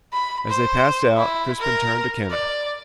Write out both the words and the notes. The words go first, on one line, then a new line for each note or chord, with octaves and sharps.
As they passed out, Crispin turned to Kenneth.
B5
C5
E4
A#4
D5